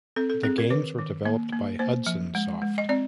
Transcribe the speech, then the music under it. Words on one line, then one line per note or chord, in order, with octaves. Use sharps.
The games were developed by Hudson Soft.
C4 A4
A4
C4 G#4
A#4
D#3 B4
D#3
A#3
A#3
A#3 C5
F3
G#3
G#3
D#5
C4 D5